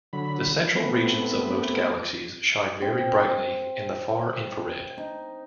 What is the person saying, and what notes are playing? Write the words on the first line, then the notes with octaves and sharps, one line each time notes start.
The central regions of most galaxies shine very brightly in the far-infrared.
D3 F#3 B5
A3 B3 C4 B4
C4
D#4